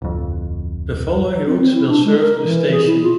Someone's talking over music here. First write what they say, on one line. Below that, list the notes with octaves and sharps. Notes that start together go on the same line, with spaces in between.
The following routes will serve this station.
D1 F2
C4
C4
E4
D4
G#3
A#4
E3
G#4
E4
F4